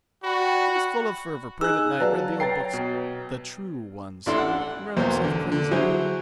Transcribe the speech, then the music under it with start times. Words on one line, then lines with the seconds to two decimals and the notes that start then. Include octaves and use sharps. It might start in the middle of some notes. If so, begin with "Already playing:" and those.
He was full of fervour, prayed at night, read the old books, 'the true' ones, and read himself crazy.
0.23 F#4 D5 G5 B5
1.61 D#4 G#4 G#5 E6 F#6
2.00 F#3 B4 D5 F5 A5
2.40 B4 C#5 G5 A#5 A6 C7
2.74 B2
4.26 A1 D4 E4 A4 C6
4.38 F#5
4.97 B1 E2 A#3 A#4 C5
5.24 D3
5.52 D3
5.71 F#3 E4 G#4 C5